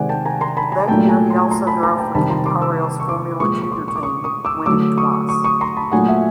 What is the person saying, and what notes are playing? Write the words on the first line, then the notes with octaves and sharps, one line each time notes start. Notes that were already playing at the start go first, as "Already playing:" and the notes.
That year he also drove for Ken Tyrrell's Formula Junior team, winning twice.
Already playing: C3 D#3 G#3 C5 D5 F#5 G#5
G5 A5
G#5 A#5
A#5 C6
A5 B5
G#5 A#5
A#2 F#3 A3 G5 A5
G#5 A#5
A#5 C6
A#5 C6
A5 B5
G#5 A#5
G5 A5
C3 D#3 G3 A5 B5
A#5 C6
C6 D6
D6 E6
C#6
C6 D6
A#2 F3 G#3 C#6 D#6
C#6
C6 D6
C#6
D6
C#6 D#6
C#6 D#6
D6 E6
D3 F#3 A3 D6 E6
C#6 D#6
C#6 D#6
C#6 D#6
A#5 C6
A5 B5
A#2 F#3 A3 F#5 G#5
E5 F#5